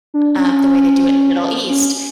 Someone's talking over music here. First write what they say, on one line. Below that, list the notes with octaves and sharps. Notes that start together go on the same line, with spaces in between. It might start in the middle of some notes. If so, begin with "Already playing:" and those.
Um, the way they do it in the Middle East,
D4
C#4
C#4